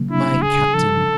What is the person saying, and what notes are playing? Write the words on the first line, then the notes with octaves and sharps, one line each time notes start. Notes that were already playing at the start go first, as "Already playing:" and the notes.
My Captain!
Already playing: C#3 F#3 A#3
D4 E4
C#3 G#4
F3 A4